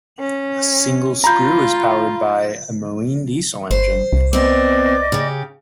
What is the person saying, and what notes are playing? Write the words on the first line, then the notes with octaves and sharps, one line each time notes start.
A single screw is powered by a marine diesel engine.
C#4
F4 A#5 B5 G6
G1 C5
C2
B3 C4 D5 D#5 D6
C#3 G4